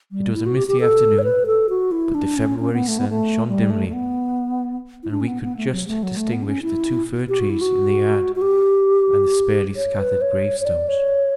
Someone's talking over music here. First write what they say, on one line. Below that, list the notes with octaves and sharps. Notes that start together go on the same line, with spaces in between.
It was a misty afternoon, but the February sun shone dimly, and we could just distinguish the two fir-trees in the yard, and the sparely-scattered gravestones.
G3
E4
F#4
G4
G4
A4
C#5
B4
A4
F#4
E4
D4
C#4
C#4
B3
A3
B3
A3
G3
A3
A3
B3
E4
D4
C#4
B3
B3
A3
F#3
A3
F#3
A3
B3
D4
C#4
E4
G4
F#4
E4
F#4
F#4
G4
C#5
B4
C#5
C#5
D5
C#5